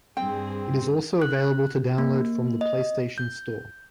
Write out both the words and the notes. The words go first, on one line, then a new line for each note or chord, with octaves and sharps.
It is also available to download from the PlayStation Store.
G2 C4 G#4 G5
F#6
A#3
D#5
G6